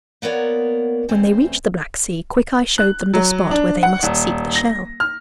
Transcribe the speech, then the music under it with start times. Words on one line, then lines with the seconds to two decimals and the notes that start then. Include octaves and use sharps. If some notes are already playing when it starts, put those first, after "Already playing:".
When they reached the black sea, Quickeye showed them the spot where they must seek the shell.
0.22 A#3 B3 A#4 C#5 D5 F#5
1.09 E2 A3 C4 C#4
2.78 F#6
3.14 F#3
3.51 D4
3.83 F#5
4.03 D#1
4.55 A#6
5.00 F6